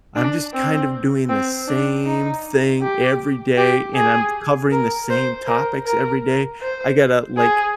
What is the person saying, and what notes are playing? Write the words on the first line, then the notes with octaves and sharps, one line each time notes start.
I'm just kind of doing the same thing every day, and I'm covering the same topics every day. I gotta, like,
D4
C4
C4
D4
D#4
G4
G4
G#4
A#4
C5
A#4
A#4
C5
G#4